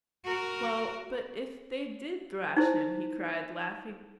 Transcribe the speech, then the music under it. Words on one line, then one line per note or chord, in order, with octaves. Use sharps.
"Well, but if they did thrash him!" he cried, laughing.
F#4 A#4
D#4 E4 C5